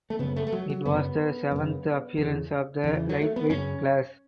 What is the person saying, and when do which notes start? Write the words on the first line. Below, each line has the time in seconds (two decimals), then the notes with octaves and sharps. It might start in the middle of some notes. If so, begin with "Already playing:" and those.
It was the seventh appearance of the lightweight class.
0.10 A3
0.19 F#2 C#3 B3
0.36 A3
0.47 A3
0.52 F#3
0.70 F#3
0.86 F#2 C#3 B3
1.51 F#2 C#3
2.18 E2 C#3
2.84 E2 C#3
2.95 E3
3.09 F#3
3.22 A3
3.36 B3
3.50 F#2 C#3 C#4